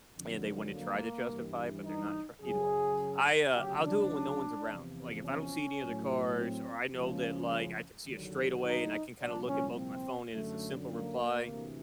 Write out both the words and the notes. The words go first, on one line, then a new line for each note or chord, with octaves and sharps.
And they wanna try to justify it, but they're not tr either way, I uh, I'll do it when no one's around, like, if I don't see any other cars, or I know that like, I can see it straight away and I can kind of look at both my phone and it's a simple reply,
F2 D3 F#3
A#3
G2 E3 G3
D#4
F#2 C#3 F#3 G#4
D2 C#3 F#3 G4
D4
E2 C3 F3
C#4
A2 F#3
C4
C#2 C#3 F3
D#2 D3 F#3
D#4
C2 A#2 F3 D4
C#4
C4
F#2 D3 F#3 A3
A#3
D2 C3 E3